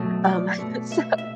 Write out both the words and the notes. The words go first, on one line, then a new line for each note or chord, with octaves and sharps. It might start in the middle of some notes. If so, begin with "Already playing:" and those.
Um, so
Already playing: B2 F#3 A3
D5
B2 A3
E5
E5